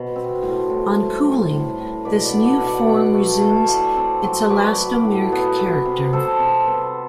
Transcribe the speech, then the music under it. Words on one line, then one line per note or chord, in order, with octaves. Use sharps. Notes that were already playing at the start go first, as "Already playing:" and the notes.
On cooling, this new form resumes its elastomeric character.
Already playing: B2 C5
C4
A2
A2
G3
A2
A2
A2
B2 B4 D5
D5 F#5
D4
D5 F#5
B2
D5 F#5
B2
A3
A3
A2 D5 F#5
C4
F#3
F#3 B4 D5
F#3
A2
B3
B3
C3
C3 A4 C5
C3
B3